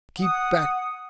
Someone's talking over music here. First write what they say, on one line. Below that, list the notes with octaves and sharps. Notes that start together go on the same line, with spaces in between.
'Keep back!
F#5 D#6